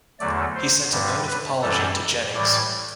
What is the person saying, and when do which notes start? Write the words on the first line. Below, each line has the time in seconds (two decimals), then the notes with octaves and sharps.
He sent a note of apology to Jennings.
0.19 E2 D3 F#3 A3 D5
0.55 C5
0.91 G2 D3 G3
1.27 B4
1.62 F#2 E3 G3 A4
2.33 A2 E3 G3 D5